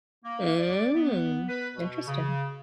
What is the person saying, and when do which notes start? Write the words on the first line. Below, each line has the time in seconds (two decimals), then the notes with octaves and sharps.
Mm. Interesting.
0.23 A#3
0.59 D5
0.94 B3
1.48 B4
1.74 B2
2.07 C#3